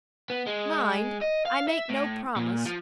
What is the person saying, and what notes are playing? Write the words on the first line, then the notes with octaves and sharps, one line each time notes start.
Mind, I make no promise!
B3
G#3
D#5
F5
E5
A2
A#2
F3